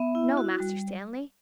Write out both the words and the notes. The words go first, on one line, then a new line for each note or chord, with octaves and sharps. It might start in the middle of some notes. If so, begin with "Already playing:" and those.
'No, Master Stanley!
Already playing: B3 E5
E4
F#4
G3